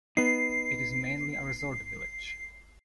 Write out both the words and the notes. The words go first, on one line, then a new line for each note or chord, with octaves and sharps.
It is mainly a resort village.
B3 D#4 C7